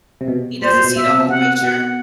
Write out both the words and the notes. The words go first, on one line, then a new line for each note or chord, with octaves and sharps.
He doesn't see the whole picture.
C3
B2
A#2 C5
A#2
B2
B2 E5
C3
B2
C3 F#5
B2 F#5